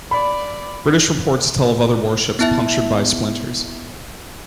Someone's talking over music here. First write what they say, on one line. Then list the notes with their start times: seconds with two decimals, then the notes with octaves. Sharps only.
British reports tell of other warships punctured by splinters.
0.11 D5 B5
2.39 B3 E4 E5